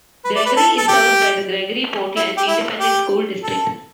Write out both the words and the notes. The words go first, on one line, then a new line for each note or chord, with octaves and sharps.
Gregory is served by the Gregory-Portland Independent School District.
B4
D5
B4
A4
A4
G4
E4
G4
E4
G4
A4